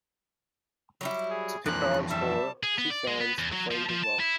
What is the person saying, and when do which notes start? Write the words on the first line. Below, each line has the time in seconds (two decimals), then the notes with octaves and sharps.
To Picard's horror, Q fans the flames of love.
1.01 F#3 G3 E4
1.30 G#4
1.66 F2 E3 F3 A#3 D4 F#6
2.11 G3 E5 A5
2.63 G#4
2.78 B3
2.90 D5
3.08 G#3
3.20 B3
3.38 E2
3.52 F#3
3.71 F3
3.89 F3
4.04 A5
4.20 E4